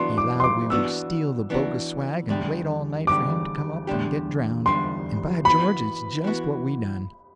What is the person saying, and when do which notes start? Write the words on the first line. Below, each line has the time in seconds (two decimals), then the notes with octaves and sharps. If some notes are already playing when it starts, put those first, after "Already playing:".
He allowed we would steal the bogus swag and wait all night for him to come up and get drownded, and by George it's just what we done!
Already playing: E3 B3 D4 F#4 C6
0.18 D6
0.40 C6
0.44 D6
0.70 E3 B3 D4 F#4 E6
1.50 E3 B3 D4 F#4
2.29 E2 D3 G3 D4 G4
3.07 E2 D3 G3 D4 G4 D6
3.87 E2 D3 G3 D4 G4
4.66 E2 D3 G3 D4 G4 C6
5.45 E3 B3 F#4 B5
6.24 E3 B3 F#4